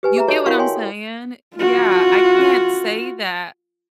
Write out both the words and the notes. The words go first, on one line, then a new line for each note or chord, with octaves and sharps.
You get what I'm saying? Yeah, I can't say that,
G4 B4 G#5
G#4 E5 A#5
F#4 G#4 A4 C#5 D#5 A5
E4 F#4 A#4 F5 F#5 C#6
C#5 G5 G#5 C6
A4
F4 F#4